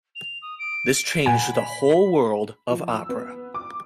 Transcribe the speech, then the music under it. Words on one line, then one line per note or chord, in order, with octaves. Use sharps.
This changed the whole world of opera.
F7
D#6
D7
A#2 F#5 G#5 B5
F3
E6
B3
D6